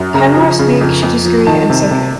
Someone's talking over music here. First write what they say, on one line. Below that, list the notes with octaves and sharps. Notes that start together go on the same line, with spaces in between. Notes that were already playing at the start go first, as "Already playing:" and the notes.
Kanwar speak Chhattisgarhi and Sadri.
Already playing: F#2
C#3 A#5
F3
C#3
F2
F2
F3
D#3 A5
C3
C3